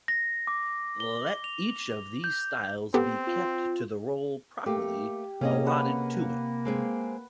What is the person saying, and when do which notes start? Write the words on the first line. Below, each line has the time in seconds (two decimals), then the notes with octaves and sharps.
Let each of these styles be kept to the role properly allotted to it.
0.08 A#6
0.47 D6
1.00 G7
1.44 F7
2.24 G6
2.94 B3 C4 G4 A4
3.27 F4
4.66 A3 A#3 G4
5.41 C3 A#3 C#4 G#4 D#5
5.66 B4 F#5
6.65 G#3 C4 G#4